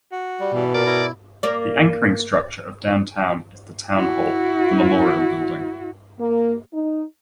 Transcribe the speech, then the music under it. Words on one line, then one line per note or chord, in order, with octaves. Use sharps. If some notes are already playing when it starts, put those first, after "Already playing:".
The anchoring structure of Downtown is the town hall, The Memorial Building.
F#4
G3
B2 E3
A#2 A#4 D5
E4 A#4
A#3 D5
E4 F#4
A#3
D#4